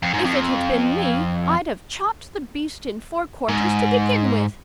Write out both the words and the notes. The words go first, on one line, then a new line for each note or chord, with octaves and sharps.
If it had been me, I'd have chopped the beast in four quarters to begin with!
F2
G#2
F2
G#2